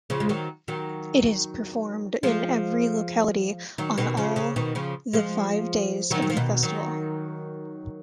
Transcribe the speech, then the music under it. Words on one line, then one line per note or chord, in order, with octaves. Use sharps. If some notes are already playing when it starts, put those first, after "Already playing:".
It is performed in every locality on all the five days of the festival.
C#3 F3
G#3
D#3 F#3
D#3 F#3
F3 G#3
D#3 F#3
B2 D#3
C#3 F3
C#3
B2 D#3
C#3 F3
F3 G#3
D#3 F#3
F#3
F3
B2 D#3
D#3 F#3